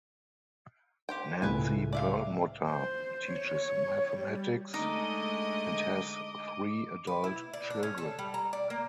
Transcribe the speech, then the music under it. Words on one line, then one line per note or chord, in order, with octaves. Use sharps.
Nancy Perlmutter teaches mathematics and has three adult children.
G4 C5 G5
C#2 A2 B4 G#5
D5 E5 F5
C5
C#5
G3
D3 G#3 A3 D#4 D#5 D6
B4
E4
D5
D4
C#4
A4
G3
A#5
D5
A#3